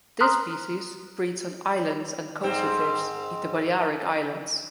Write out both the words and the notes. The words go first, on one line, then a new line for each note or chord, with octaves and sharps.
This species breeds on islands and coastal cliffs in the Balearic islands.
A#5 C6 D#6 F6 F#6
G#2 C4